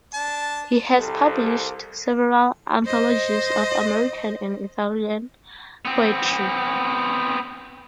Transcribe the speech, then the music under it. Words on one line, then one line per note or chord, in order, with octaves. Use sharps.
He has published several anthologies of American and Italian Poetry.
D4 A5
C2 A4
C5 D#5
B3 C4